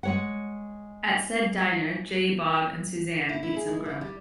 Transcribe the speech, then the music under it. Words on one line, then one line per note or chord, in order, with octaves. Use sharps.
At said diner, Jay, Bob, and Suzanne eat some grub.
G#3 C#5 F#5
E4
E4
G#4
G#3
C3
G3